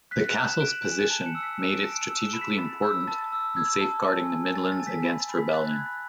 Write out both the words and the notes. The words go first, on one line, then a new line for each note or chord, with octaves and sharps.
The castle's position made it strategically important in safeguarding the Midlands against rebellion.
F#6 B6
F#6
E7
F#6 D7
F#7
G#5 E7
E7
A5 D7
C#7
E6
B6
E6 E7
D7
A5
D7
E6 E7
E7
B5
B6
B5 A6
E6
A5 A6
E6
E6 G#6
A5
G#5
G#5
G#5 A6
A6
G#5
B6
B5 A6
A6
B5
B6
F#6 A6
G#6
B5
A6